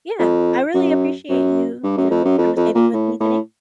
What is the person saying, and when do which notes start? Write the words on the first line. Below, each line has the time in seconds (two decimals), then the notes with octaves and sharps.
yeah, I really appreciate you, you know, conversating with me today.
0.19 F2
0.74 F#2
1.29 F#2
1.83 G2
1.97 F#2
2.10 F2
2.24 F#2
2.38 F2
2.56 F2
2.75 A#2
2.93 A2
3.20 A2